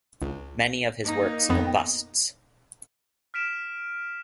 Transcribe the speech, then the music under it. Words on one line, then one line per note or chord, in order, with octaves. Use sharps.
Many of his works are busts.
C#2
A#3 D#4
F2 B3
F6 B6 D7 E7